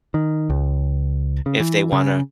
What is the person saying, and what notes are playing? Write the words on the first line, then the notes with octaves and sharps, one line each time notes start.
if they wanna
D#3
C#2
C#3
E3
C#3